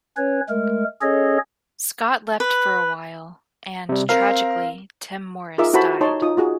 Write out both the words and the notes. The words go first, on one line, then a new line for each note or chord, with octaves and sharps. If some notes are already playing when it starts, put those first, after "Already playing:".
Scott left for a while, and, tragically, Tim Morris died.
C#4 B4 C#5
G#3 A3 A#4
C#4 G#4 A4 C#5 D#5
B4
C3 G3
C4 A#4 F5
D#4 F4 G#4 A#4 E5 D6
E4 F#4 A4 C5 A5 B5
D#4 C#5 A5 C6
D#4 F4 D#6
F4 F#4 G#4